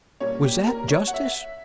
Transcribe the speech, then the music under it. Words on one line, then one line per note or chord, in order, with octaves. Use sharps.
Was that justice?
A#2 G3 A#3 C#4 C#5
G4
A#4
C#5
F#5
E5